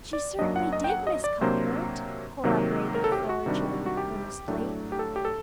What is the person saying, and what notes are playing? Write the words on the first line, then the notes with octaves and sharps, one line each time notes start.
"She certainly did, Miss Cuthbert," corroborated Flora Jane earnestly.
D5
F#2 F#3 A#3 D4 D#5
F#5
D#5
G5
F#5
D#5
D5
C3 F#3 A#3 D4 C5
C3 D#3 F#3 A#3
A#4
A4
G4
F#4
C3 D#3 G3 D4
F#4
G4
A2 F#3 A3 D4
G4
A4
G4
A4